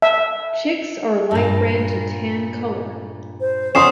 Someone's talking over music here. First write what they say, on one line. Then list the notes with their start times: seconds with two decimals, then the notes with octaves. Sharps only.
Chicks are a light red to tan color.
0.02 E5
1.31 G2 A#2
3.41 C5
3.75 F2 C#3 C#4 F#5 C6 D#6 C7 E7